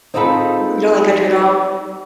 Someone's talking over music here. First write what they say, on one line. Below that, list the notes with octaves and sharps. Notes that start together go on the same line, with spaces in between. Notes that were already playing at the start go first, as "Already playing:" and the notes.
W you don't like country at all?
C4 D#4 F4 G#4 A4 B4